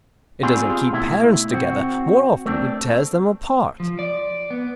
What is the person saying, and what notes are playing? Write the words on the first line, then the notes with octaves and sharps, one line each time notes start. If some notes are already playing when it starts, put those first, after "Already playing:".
It doesn't keep parents together; more often it tears them apart.
B3 C4 D4 F4 G4 G#4
B2 A3 E4
C4 F#4
A3 C4 D4
F3
D5
B3